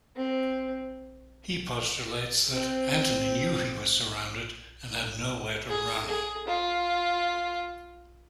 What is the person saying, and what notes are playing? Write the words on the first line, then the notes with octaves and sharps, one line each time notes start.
He postulates that Antony knew he was surrounded and had nowhere to run.
C4
C4
G#4
G#4
F4